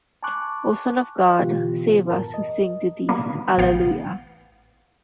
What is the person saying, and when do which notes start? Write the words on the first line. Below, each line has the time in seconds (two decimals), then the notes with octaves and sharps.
O Son of God, save us who sing to Thee: Alleluia!
0.23 G#5 A5 B5 C#6 D6 F#6
1.39 B2 D3 E3 B3 F4 G4
2.10 F#2 A2 A#4 A5
2.34 D#5
3.09 G3 A#3 B3
3.58 A1 B3 F5 G6